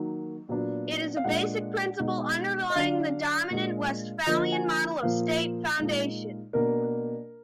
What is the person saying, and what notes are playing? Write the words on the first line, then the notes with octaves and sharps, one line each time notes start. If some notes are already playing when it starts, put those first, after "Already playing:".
It is a basic principle underlying the dominant Westphalian model of state foundation.
Already playing: D#3 F#3 A#3 D#4
A#2 F#3 B3 D4
F5
A#2 G#3 D4 F#5
B2 G#3 D#4
D#5
D3 F#3 D4 F5
A#2 G#3 D4
D3 F3 A#3 D#5
G#5
A#2 F3 A#3 F5
A#2 G#3 D#4
B2 A#3 D4 A#4